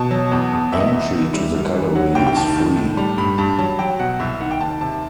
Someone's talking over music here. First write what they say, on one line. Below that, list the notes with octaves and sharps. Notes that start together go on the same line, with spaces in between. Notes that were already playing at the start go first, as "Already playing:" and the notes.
Entry to the gallery is free.
Already playing: B2 A5
F#3
E2
E2
E2 E5
D#5
E2 E5
D#3
G3
F#2
E3
F#3 F#5
C2 G5
G5
D#2 A5
D#3
A2
G3
G2 B5
G2 A5
F#3 A5
F#3 G5
B2 F#5
C2 E5
D#3 F#5
G5
D#2 A5
C3 A5